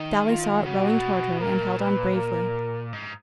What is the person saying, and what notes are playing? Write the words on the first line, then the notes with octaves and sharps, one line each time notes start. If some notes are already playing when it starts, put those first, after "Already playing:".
Dolly saw it rowing toward her, and held on bravely.
Already playing: D#3 D#4
F4
C#3 F#4
B2
A#2
B2
A#2 A#4
B4
A#4
G#2